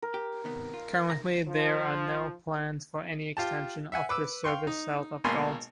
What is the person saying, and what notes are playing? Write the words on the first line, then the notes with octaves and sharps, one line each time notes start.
Currently there are no plans for any extension of this service south of Galt.
A#4
G4
C3 D#3 B3
F4
C2 A#5
F3
F4 G4 A5
E5 F#5 G#5
B4 D6 E6
F5 G5 C6 C#6
D#4
G#1 B2 A#3 G#5 B5 C6